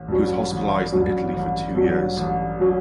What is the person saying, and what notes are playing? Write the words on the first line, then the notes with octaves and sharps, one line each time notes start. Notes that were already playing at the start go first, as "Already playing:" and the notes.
He was hospitalized in Italy for two years.
Already playing: A1
G2 F#3 C#4
A1
G2 F#3 C#4
A1
G2 F#3 C#4
A1
F#3 C#4